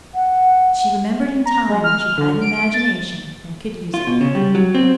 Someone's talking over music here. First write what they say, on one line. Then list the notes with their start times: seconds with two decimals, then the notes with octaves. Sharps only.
But she remembered in time that she had an imagination and could use it.
0.15 F#5
1.46 A#5
1.69 G#3
1.84 F6
2.18 D3
2.41 D7
2.74 A6
3.94 F4
4.07 B2
4.21 C#3
4.35 G3
4.55 F#3
4.75 C4